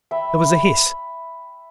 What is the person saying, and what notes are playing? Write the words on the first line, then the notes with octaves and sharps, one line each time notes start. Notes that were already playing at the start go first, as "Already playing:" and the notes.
There was a hiss.
E5 G5 B5